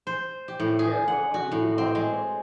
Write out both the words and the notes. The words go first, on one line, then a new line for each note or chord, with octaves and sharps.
Yes, on on a U-Haul truck,
C5
G4
A2
G#4
F#5
F#4
A2
C4
G#3